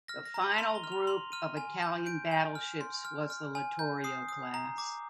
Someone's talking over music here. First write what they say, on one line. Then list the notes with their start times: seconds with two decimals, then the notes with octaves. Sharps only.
The final group of Italian battleships was the "Littorio" class.
0.08 F6 A#6
0.25 A#6
0.34 A#5
0.42 D#7
0.58 C6 F7
0.75 G7
0.84 F6
0.92 F7
1.07 C6 F7
1.32 F6 D#7
1.57 G#5
1.82 G6
2.06 G6 D7
2.31 G#5
2.55 F6
2.81 C6
3.05 F6
3.30 F6
3.55 G#5
3.79 G6
4.04 D#6 C7
4.29 D#6
4.54 A#5
4.78 D6